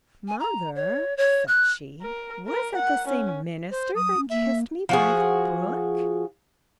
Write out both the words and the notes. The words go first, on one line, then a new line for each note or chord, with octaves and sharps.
"Mother," said she, "was that the same minister that kissed me by the brook?"
G#5
A#5
C#5
C#5
F#6
A#4
A#4
F#5
C#4
C5
F#3 D#6
C#4
A#3 E5
F3 F#4 G#4